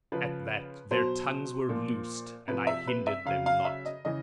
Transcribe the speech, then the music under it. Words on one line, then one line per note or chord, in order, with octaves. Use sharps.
At that their tongues were loosed, and I hindered them not.
C#3 F3 B4
B2 F#3 C5
A#2 F3
C3 F3 B4
E5
B4
E5
C#3 F#3 F5
F5
E5
D#5
C#3 E3 D#5